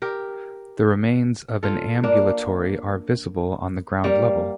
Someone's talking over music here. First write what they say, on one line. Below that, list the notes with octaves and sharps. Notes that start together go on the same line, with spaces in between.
The remains of an ambulatory are visible on the ground level.
G4 A#4
F4 A4
A#3 D4
G3 A#3